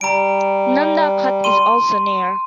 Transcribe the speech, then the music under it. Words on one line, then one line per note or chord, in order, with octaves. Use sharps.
Nanda Khat is also near.
G3 A#5 D7
C6 D#7